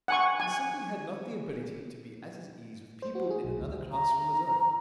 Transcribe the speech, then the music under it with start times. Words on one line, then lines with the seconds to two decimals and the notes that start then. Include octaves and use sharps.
He simply had not the ability to be at his ease with people in another class from his own.
0.08 F#5 G#5 C#6
0.40 G#5
3.02 C5
3.15 F#4
3.31 G#4
3.44 B1
3.60 D2
3.92 A#5